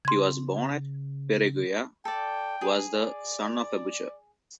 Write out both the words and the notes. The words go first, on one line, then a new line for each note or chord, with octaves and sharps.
He was born at Perugia, was the son of a butcher.
C#3 C6 G#6
A4 D5 G5
G#4
D5